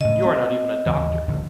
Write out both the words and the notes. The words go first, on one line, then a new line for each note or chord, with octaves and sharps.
You are not even a doctor!
A2 C#3 D#5
C4
D#2 C#3 E3
D1 A#1 D3